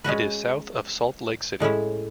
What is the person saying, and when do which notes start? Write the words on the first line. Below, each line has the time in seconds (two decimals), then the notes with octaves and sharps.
It is south of Salt Lake City.
0.04 G#3 C#4 F#4 B4
1.60 A2 G#3 C#4 E4